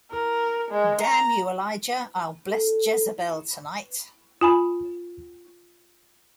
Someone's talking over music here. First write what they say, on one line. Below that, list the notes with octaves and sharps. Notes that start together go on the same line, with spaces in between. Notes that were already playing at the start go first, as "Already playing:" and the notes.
Damn you, Elijah, I'll bless Jezebel tonight.
A#4
G#3
A#5
A4
F4 G#5 B5